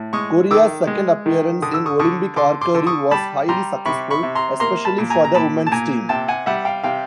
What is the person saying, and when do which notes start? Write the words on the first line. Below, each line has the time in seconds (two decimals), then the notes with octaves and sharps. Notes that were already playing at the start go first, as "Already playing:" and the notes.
Korea's second appearance in Olympic archery was highly successful, especially for the women's team.
Already playing: A2
0.13 G#3 C#6 D#6
0.51 D#3 D6 E6
0.87 G#3
1.26 D#3
1.62 D3 D#6
1.74 E6
1.86 C#6 D#6
1.99 D3 C#6 D#6
2.36 D3 C6 D6
2.61 C6 D6
2.74 D3
2.87 C#6 D#6
3.11 G3 A5 B5
3.49 G3 A#5 C6
3.86 C3 B5 C#6
4.11 B5 C#6
4.23 C3
4.35 A#5 C6
4.60 A#3 A#5 C6
4.85 A5 B5
4.98 A#2
5.10 G#5 A#5
5.25 A#5
5.35 A#2 A5 B5
5.67 A5
5.72 A#2 G#5 A#5
6.09 C3 G5 A5
6.28 F#5 G#5
6.46 G3 E5 F#5
6.65 F5 G5
6.83 C3 F5 G5